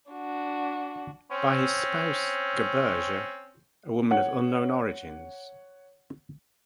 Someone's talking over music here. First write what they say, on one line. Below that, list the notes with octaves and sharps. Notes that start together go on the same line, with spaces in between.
By his spouse, Gerberge, a woman of unknown origins.
D4 F#4
C4 C#4
C#5 F#5